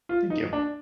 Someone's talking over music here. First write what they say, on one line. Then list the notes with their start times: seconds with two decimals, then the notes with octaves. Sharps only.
Thank you.
0.09 F4
0.30 D#4
0.53 D4